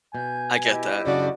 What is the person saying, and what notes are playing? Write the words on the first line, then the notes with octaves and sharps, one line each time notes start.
I get that.
B2 G#5 G6
E4 G4 D#5
F#2 C#3 D4 F#4 D5